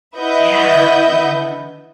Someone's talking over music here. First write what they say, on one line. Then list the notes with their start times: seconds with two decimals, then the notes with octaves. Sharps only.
Yeah, yeah.
0.16 E4 B4 D#5 E5 F#5 G6